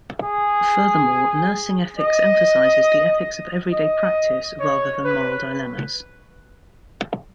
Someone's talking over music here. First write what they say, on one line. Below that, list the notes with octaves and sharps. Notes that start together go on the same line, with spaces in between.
Furthermore, nursing ethics emphasizes the ethics of everyday practice rather than moral dilemmas.
G#4
D#5
D#5
C#5
B4